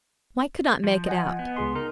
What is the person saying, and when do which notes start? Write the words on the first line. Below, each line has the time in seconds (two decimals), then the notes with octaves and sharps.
Mike could not make it out.
0.84 F3
1.07 D#5 F#5 G#5
1.39 B3
1.56 C#2 G#4 C6
1.75 D#4 A#4